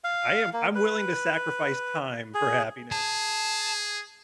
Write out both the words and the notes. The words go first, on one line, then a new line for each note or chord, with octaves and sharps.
I am I'm willing to sacrifice time for happiness.
F5
A#3
B4
G#4
G#4 A5